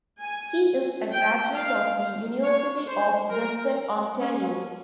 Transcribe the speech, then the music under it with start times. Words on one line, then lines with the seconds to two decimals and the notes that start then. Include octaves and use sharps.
He is a graduate of the University of Western Ontario.
0.22 G#5
1.11 G5
1.54 F5
2.43 C#5
2.87 C5
3.31 A#4
4.20 C#4